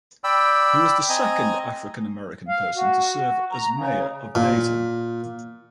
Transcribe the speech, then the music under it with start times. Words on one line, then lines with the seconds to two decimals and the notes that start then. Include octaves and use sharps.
He was the second African-American person to serve as mayor of Dayton.
0.24 D5 G5 B5 E6
1.09 C4 D#5 G#5 A#5
2.48 F5
2.75 F#4
3.53 A#5
3.72 C#3
4.35 A#2